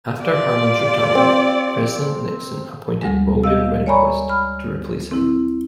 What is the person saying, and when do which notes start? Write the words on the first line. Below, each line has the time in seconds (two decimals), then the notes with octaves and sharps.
After Harlan's retirement, President Nixon appointed William Rehnquist to replace him.
0.23 F4 G4 D5
1.15 C4
3.02 D2 G3 G#3
3.44 G4 D#5 F5 E6
3.86 C#5 D5 G#5 A#5 B5 C#6
4.29 B5 F6
5.11 C4 E4